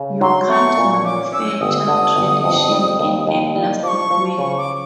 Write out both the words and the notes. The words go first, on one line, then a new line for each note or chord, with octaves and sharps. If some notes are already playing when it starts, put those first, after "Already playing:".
You can't manufacture tradition in a plastic way.
Already playing: C#3
F#3 C6
A3 C#6
A#2
C#4 D6
C#4 E6
G1 D#6
E6
D#6
D3
G1
F2
G3
D#2
D#2
G3
F3 D6
C#6
F3
C#3 C#6
D6